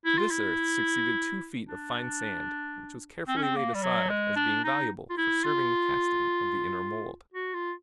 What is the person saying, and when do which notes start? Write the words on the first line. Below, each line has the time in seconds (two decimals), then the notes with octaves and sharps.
To this earth succeeded two feet of fine sand, which was carefully laid aside as being valuable for serving the casting of the inner mould.
0.05 E4
0.18 F4
0.31 E4
1.66 D4
3.28 C4
3.37 C#4
3.43 C4
3.56 A#3
3.75 G3
3.83 F#3
4.09 G#3
4.36 D4
4.64 D#4
5.10 F4
5.18 E4
5.44 F4
7.34 F#4
7.54 F4